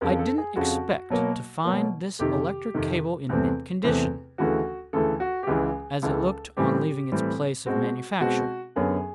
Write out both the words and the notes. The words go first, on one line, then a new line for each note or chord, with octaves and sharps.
I didn't expect to find this electric cable in mint condition, as it looked on leaving its place of manufacture.
F2 C#3 F3 A#4
A4
G#4
F2 C#3 F3 F#4
B2 F#3 A#3
B2 F#3 A#3
F2 C3 D#3 G4
F2 C3 D#3
E2 C3 E3 A3 C4
E2 C3 E3 A3 C4
D2 C#3 E3 A3 F#4
D2 C#3 E3 A3 A4
F#4
G4
C#2 C#3 E3 G#4
C#2 C#3 E3 A4
A2 E3 G3 C4 G4
A2 E3 G3 C4
B2 G#3 C4 F#4
B2 G#3 C4 F#4
F#2 D3 F#3 B3 G#4